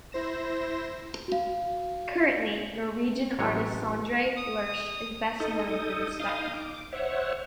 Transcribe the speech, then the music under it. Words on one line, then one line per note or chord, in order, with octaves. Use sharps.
Currently Norwegian artist Sondre Lerche is best known for this style.
E4 C5 A#6 E7
F#4 F5
A1 F#3 G#3 C#5
D#6
D#4 A4 D#6
D#4 F5 D#6
D6
C5 C#5 E5 F#5